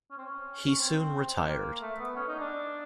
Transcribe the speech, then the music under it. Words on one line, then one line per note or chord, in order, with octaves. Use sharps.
He soon retired.
C#4
C4
C#4
C#4
C4
A#3
A3
B3
C#4
D#4
D4